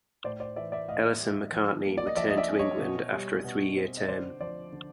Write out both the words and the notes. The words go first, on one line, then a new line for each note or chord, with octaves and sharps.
Ellison-Macartney returned to England after a three-year term.
A2 C5 D5
C5 D5
E3 D5 E5
D5 E5
A2 D#5 F5
G3
F3
A#3
D5
D#5
F3 D5 E5
D#5
D5 E5
C#4
C#5 D#5
B2
G3
B2
C4
D#5
D3 C5 D5
F3 C5 D5
D3